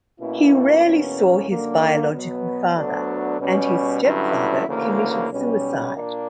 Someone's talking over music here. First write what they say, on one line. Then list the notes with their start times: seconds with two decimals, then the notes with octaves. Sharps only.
He rarely saw his biological father, and his stepfather committed suicide.
0.20 B2 A#3 C#4 E4
0.84 E2 B2 A#3 C#4
1.48 F#2 D3 A#3 D4
2.11 B2 F#3 B3
2.75 D2 D3 F#3 B3 D4
3.39 B2 G3 C#4
4.02 G2 D3 F#3 C#4 E4
4.66 D2 C#3 E3 A#3
5.30 B1 B2 G3 C#4
5.94 A#2 A#3 D4